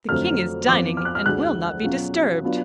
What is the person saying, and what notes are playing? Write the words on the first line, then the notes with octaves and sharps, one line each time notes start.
The King is dining, and will not be disturbed.'
F2 D3 F#3 A3 F6
F2 F3 B3 D6
F6
F#6
F6
D2 D3 G#3 F#6
B2 F#3 C#4 F4
F#3 B3 D4 F4